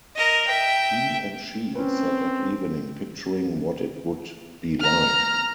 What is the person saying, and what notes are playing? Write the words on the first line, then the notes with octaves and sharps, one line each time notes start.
He and she sat at evening picturing what it would be like.
A#4 D#5
E5 G5
C4 C#4 B4
A#5 F6